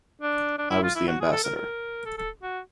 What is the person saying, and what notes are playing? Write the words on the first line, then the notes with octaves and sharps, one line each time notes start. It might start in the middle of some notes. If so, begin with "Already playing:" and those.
I was the ambassador.
D4
D4
E4
F4
E4
F#4
G#4
A4
A#4
A#4
A4
A4
F#4